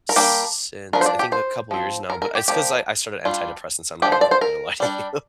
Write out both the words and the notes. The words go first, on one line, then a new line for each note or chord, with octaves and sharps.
s since, I think, a couple years now, but it's 'cause I I started antidepressants, I'm not even gonna lie to you.
A#4
G3 A#3 D4 G4
F3 D4 A#4
C5
D5
G4
C5
F3 C4
A#4
A#4
G4
F3 A#3 D4 G4
G3 D4 F4
F3 D4 G4
C5
D5
C5
A#4
G3 D4